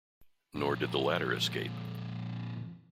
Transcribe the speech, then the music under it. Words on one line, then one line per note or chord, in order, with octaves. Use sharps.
Nor did the latter escape.
F2 A#2